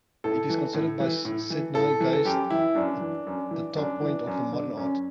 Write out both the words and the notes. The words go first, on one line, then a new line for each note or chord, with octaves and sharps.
It is considered by Sydnei Geist the top point of the modern art.
A2 A4
E3
A2
E3
A2
E3
A2 A4
E3
A4
F#2 G4
E3 E4
F#2 D4
E3
F#2
E3
F#2 D4
E3
F#2
D3
F#2 C#4